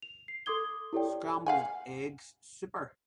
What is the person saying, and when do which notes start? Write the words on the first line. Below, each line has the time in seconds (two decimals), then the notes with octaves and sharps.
Scrambled Eggs Super!
0.02 F7
0.28 C7
0.46 A4 C6 D6 D#6 G#6 G7
0.93 E4 G4 A4 C#5 D5 G5
1.46 F5 F#5 G#5